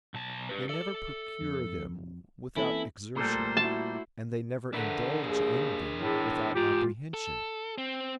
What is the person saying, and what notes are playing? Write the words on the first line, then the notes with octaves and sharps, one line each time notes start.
They never procure them without exertion, and they never indulge in them without apprehension.
B1 A5
G4 B4
A4 D5 E5
F2
E3 A#3 C4 C#4 E4 A4 B5
A#2 G3 A3 A4 A#4 C5
E4 F#4 A5
D3 D4 A#4 B4 E5
D#2 G#4 E5
E2 A2
G#2 F4 G4 A#5
A4
C4